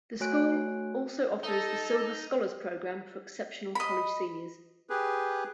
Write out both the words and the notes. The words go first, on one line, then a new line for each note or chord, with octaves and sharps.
The School also offers the Silver Scholars Program for exceptional college seniors.
A3 F#4 C#5 G#5 F#6 D7
D#4 A4
D#5 B5
G4 G#4 B4